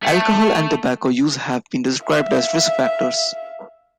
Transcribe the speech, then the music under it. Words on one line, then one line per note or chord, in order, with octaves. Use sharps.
Alcohol and tobacco use have been described as risk factors.
A3
E5 F5